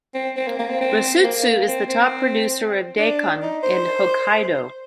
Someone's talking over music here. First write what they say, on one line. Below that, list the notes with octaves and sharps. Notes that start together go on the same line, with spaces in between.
Rusutsu is the top producer of Daikon in Hokkaido.
C4
C4
A#3
A#3
C4
C4
A#3
C4
C4
D4
D#4
C5